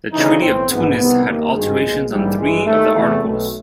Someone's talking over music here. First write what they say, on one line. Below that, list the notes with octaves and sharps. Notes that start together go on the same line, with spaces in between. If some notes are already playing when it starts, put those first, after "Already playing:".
The Treaty of Tunis had alterations on three of the articles.
D2 C#3 E3 D#4
B1 A2 E3 C4
A#1 G#2 E3 B3
C2 C3 D#3 B3
D#2 D#3 A#3
G#1 G2 D#3 G#3
B1 A#2
A#1 G#2 E3 G3
A1 G2 E3 G#3
D#2 D#3 A3
E2 C3 E3 A3
B1 B2 A3